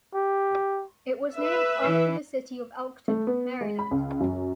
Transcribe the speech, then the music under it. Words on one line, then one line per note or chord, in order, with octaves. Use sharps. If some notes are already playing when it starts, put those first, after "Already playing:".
It was named after the city of Elkton, Maryland.
G4
B4 E5
E3
A3
B3
G#3
B5
C#2
F#2